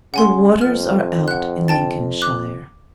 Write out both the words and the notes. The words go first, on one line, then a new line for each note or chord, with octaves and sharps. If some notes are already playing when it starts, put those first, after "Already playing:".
The waters are out in Lincolnshire.
C#3 F#5 G#5 C6
F2 F6
F#5 F#6
G5 A5 A6
D6 F#6